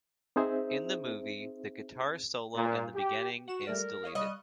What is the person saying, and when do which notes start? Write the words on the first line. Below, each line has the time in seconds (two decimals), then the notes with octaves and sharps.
In the movie, the guitar solo in the beginning is deleted.
0.36 C4 D#4 G#4 C5 E5
2.55 A#2
2.95 G4
3.48 F#4 F#5 E7
3.67 G3 A3 A#4 D5
4.04 C#5 D#5 F5
4.15 G3 D#5 C#6 F#6